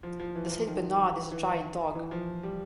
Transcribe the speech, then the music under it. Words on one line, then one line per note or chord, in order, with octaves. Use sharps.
The Saint Bernard is a giant dog.
F3
F3
E3
F3
D#3
E3
E3
F3
G3